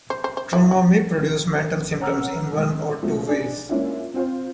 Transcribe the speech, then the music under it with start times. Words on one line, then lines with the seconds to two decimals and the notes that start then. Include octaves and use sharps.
Trauma may produce mental symptoms in one of two ways.
0.10 C5
0.24 C5
0.37 C5
0.53 E4
0.71 F#4
2.00 C#5 F#5 A#5 E6 F6
2.53 D#3 G#3
3.02 C#2 B2 F3 A3
3.28 D4 D#4 G#4 D5
3.69 G#3 A#3 C#4 D4 E4 F4
4.14 C4 F4 C5